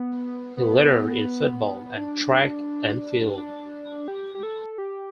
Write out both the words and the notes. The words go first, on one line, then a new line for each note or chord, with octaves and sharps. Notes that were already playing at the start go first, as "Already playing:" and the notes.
He lettered in football and track and field.
Already playing: B3
B3
D4
D4
G4
G4
A4
G4